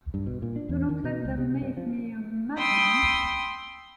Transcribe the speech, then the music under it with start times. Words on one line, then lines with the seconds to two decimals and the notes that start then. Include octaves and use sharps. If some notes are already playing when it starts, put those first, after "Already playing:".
Do not let them make me a madman.
0.14 G2
0.27 B2
0.42 A#2
0.56 D4
0.69 E2
0.89 D#3
1.04 B2
1.25 C#2
1.38 C3
1.62 G2
1.77 F3
2.57 G5 B5 C6 D#6 E6